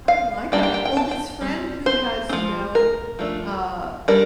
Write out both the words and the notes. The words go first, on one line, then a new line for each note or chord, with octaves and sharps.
I like that. Well, this friend who has no, uh,
F5
G3 A#3 D4 G5
G5
G5
G5
A5
G5
G3 C4
C5
C4
F3
A#4
F3 A3 D4
G3 D4 A#4